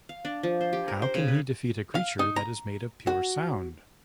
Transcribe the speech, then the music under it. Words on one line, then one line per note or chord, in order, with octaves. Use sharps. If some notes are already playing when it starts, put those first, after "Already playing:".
How can he defeat a creature that is made of pure sound?
F5
D4
F3
C5
G4
A#4
C5
C#3
B4
F5
D#4
A#5
F#4